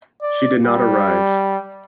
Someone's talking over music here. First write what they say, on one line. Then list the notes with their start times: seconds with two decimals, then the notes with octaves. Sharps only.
She did not arrive.
0.22 D5
0.65 G3